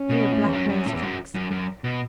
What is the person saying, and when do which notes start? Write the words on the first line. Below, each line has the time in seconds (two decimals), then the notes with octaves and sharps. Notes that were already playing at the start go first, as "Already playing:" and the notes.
Here black man's tracks.
Already playing: C#4
0.10 B2
0.32 A2
0.46 E2
0.53 F#2
0.69 F#2
0.86 A2
0.94 E2
1.02 F#2
1.34 F#2
1.51 F#2
1.84 B2